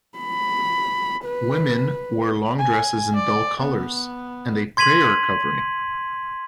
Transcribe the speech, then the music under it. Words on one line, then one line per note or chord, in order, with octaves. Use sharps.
Women wore long dresses in dull colors, and a "prayer covering".
B5
B4
G#5
D5
B3
C6 G#6 B6 D#7 F#7